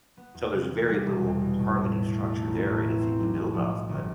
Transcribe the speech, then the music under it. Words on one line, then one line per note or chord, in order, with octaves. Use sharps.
So there's very little harmony structure there or anything to build off, but
B3
E2
C3
E3
G3
E1
E2
B2
A2
A2
E3
A3
A3
A1
A2
E3
C4
B1
A2
F3
F3
G1